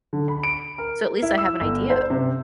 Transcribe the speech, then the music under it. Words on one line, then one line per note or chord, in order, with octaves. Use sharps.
so at least I have an idea?
D3
B5
D7
A#4
E4
E6
G1
C5
C3